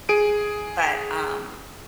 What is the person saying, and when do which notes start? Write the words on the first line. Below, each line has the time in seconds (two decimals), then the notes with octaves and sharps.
But, um,
0.09 G#4 D7 D#7